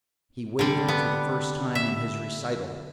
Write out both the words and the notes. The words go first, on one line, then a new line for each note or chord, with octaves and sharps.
He wavered for the first time in his recital.
D3 G3
B3
E5